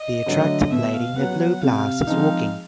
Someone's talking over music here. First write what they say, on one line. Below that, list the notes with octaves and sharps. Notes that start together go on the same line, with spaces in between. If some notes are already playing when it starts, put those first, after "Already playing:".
The attractive lady in the blue blouse is walking.
Already playing: D#5
D3 F#3 A3
D#5
B2 E5
F5
F#3 B3 F#5
F#5
C3 F5
F3 G#3 C4 D#4